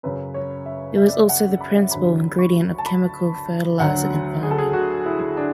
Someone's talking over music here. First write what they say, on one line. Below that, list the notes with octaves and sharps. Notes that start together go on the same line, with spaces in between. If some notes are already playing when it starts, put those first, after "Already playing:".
It was also the principal ingredient of chemical fertilizer in farming.
F#2 C#3 F#3 B4
C#5
E5
E5
D5
E5
F#5
B5
D2 D3 F#3 B5
C#6
A5
B5
D2 D3 F#3 F#5
G#4
A4
G#4
F#4
E4
D4